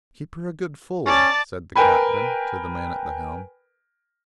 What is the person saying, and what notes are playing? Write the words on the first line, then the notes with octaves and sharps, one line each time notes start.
"Keep her a good full," said the captain, to the man at the helm.
C#4 D5 A5
A#4 B4 G5 G#5 B5